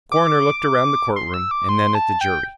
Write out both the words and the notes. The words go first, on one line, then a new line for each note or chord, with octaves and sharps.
The coroner looked around the courtroom and then at the jury.
D6
C6
E6
D6
C6
A5
G5